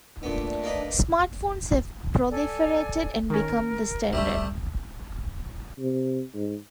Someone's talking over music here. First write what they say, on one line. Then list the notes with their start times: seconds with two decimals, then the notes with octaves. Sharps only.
Smartphones have proliferated and become the standard.
0.23 A#2 A3 B3 D4
0.64 A#3 D#4 B4
2.31 A4 D5 G#5
3.30 D#3 C#4 A#4
4.13 D2 C3 G3 A3
5.79 C3
6.35 G#2